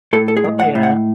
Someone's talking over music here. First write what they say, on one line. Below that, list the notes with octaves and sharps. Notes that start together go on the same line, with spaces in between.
Oh, yeah.
A2 A4
A4
G#4
G#3
F#5
A2
F#5